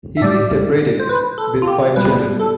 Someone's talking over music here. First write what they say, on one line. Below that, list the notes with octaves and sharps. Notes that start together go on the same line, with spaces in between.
He is separated, with five children.
E5
A2 G3 D5
C5
B4
A4
F4
G4
B2 G3 B4
A4